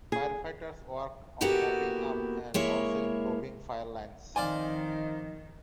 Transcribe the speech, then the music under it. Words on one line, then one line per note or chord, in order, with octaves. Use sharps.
Firefighters worked on mopping up and also improving fire lines.
G#4
A#3 B3 E4 F#4 G4 A4
G#3 A#3 E4 C#5
F2 D#3 D#4 C5 D5 F5 G#5